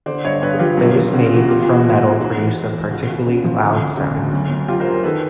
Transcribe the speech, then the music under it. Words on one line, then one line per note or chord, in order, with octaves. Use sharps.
Those made from metal produce a particularly loud sound.
D3 C5 D5
G2 C#5 D#5
G2 B4 C#5
G#4
F3 F4 G4
F#2
F#2
C#3 F#4
F4
E3
F#4
E2 F4 G4
F4 G4
E3
F#4
E2 F4
F#4
E2
F4
G#2 F#4
E3
G#2
E3
C#2 F#4
C#2 F#4
C#3
F3
D2
D2
C#3 F#4
D2
F#2
F#2
F#2 F4 G4
A#4 C5
F#3
D#3 A4 B4